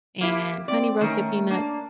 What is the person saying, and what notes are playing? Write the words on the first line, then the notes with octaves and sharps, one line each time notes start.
and honey roasted peanuts.
A#3 E4 G4
C4 D5
D#3 A3 C#4 A#4
A#3 D4